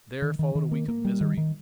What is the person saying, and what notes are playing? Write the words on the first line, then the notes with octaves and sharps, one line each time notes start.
There followed a week of misery.
D#3
D#3
D#3
A#3
A#3
G3
D#3
D#3